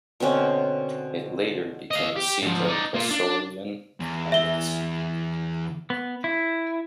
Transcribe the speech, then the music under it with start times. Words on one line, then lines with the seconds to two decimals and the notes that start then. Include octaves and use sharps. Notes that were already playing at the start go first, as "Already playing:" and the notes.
It later became a seat of Isaurian pirates.
0.20 B2 D3 C4 C#4
1.91 D#5 F5
2.16 G4
2.42 G#2 F3
2.67 D#4 D5
2.95 A#3 F4
3.11 D4
4.00 E2
4.32 E5 G7
5.90 B3
6.24 E4